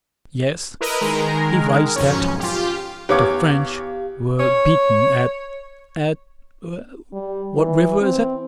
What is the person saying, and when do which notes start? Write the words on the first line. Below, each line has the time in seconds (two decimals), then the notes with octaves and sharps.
"Yes, he writes that the French were beaten at... at... what river is it?"
0.81 E4 A#4 B4 D#5
1.01 D#3 G#3 A#4
1.96 B1 F2 G#2 C#4
2.40 F4 G4
3.09 E2 G4 C#5 F5 D6
4.40 C#5
7.13 G3
7.56 E3
8.01 C4